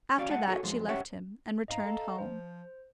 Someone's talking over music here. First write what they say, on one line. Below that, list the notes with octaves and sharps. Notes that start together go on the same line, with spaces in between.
After that she left him, and returned home.
C#4 F#4 D5 F5
B1 G#3 F#5 A5
F#4 G#4 A4 C#5
F#2 F3 G#3
C#4 G4 C#5 E5 F#5
G#2 D#5 F5 A#5
A4
F3 C5